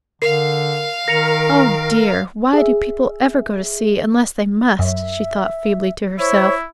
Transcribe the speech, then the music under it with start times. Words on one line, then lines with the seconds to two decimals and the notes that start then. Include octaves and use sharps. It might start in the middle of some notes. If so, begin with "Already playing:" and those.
"Oh, dear, why do people ever go to sea, unless they must?" she thought feebly to herself.
0.22 D3 A#4 F5 C7
1.08 D#3 A#4 A#6 C#7 F7
2.53 G#4 E5
4.79 F#2 E5
6.19 E4 C5 C#5